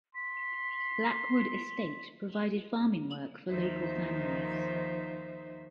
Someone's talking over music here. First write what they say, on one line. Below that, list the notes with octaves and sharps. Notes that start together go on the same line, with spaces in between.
Blackwood estate provided farming work for local families.
C6 B6
D#2 D#3 F3 D#4 C5 E5